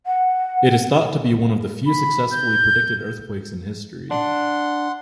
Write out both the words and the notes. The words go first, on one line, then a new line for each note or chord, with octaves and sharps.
It is thought to be one of the few successfully predicted earthquakes in history.
F#5
B5
G6
D4 F#5 C6